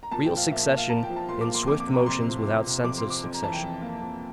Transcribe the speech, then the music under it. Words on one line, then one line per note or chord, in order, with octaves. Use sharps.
Real succession in swift motions without sense of succession.
A#5
A#2 A5
G5
F3
F5
A#2 E5
E5
A#3
F5
A#2 A5
G5
F3
A5
A#2 C6
D6
A#3
C6
F2 D6
D6
C3
A#5
F2 C6
F3
F2
C3
F2 D6
C6
F3
D6
F2
A#5
E3 A5
G5
F2
A#3
F2